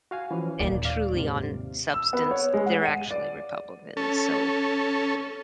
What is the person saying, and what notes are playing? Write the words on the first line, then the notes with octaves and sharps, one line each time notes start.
And truly on substance, they're actually Republicans. So
F#4 F5 G#5
E3 F3 C#4
D#2 A#2 A#3 D#4 D5
D5 F5
G#2 C3
E6
B3
C#5
G#3
F#5
D#7
D5
C#4 A4